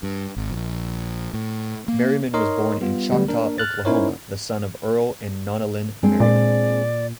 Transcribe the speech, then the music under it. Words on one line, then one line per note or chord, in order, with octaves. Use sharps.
Merriman was born in Choctaw, Oklahoma, the son of Earl and Nonalyn Merriman.
G2
G#1
A#1
A2
A#3
D#4 A#4 C#5 D#5 C6
G3 B3 F4
D3 F#3 G3 A3 B3 G4
A#3 D4 A#4
F6 F#6 A6
C#4 D#4 E4 A#4 C5 C#5
G#3 C4 D4
A#2 D5